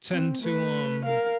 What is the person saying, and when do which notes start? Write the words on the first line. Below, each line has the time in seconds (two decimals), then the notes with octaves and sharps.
tend to, um
0.12 C4
0.42 A3 B4
1.05 A#4 F5